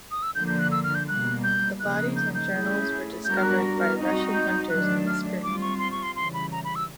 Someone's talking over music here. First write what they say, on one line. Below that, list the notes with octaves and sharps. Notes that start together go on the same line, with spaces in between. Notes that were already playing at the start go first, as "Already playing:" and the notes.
The bodies and journals were discovered by Russian hunters in the spring.
D#6
E6
D3 F3 A#3 G6
G6
F#6
E6
F6
G6
B2 G3 A#3 F#6
G6
C#3 F3 A#3 D#4 F#6
G6
G6
A3 C#4 E4 G#4
G3 B3 D4 F#4 A#4 G6
F6
F#6
F6
G3 C4 D#4 F#4
G6
D#3 F#3 A3 D4 F#6
F6
G3 C4 F4 D6
C#6
C6
C#6
C6
C#3 E3 G3 C6
B5
A#5
B5
E6